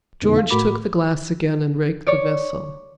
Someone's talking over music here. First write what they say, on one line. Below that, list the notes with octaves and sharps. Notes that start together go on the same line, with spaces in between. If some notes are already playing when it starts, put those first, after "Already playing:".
George took the glass again and raked the vessel.
F2 B2 D3 B3 D#4
F5
A2 A3 F#4 A#4 B5 D6
C#5 D5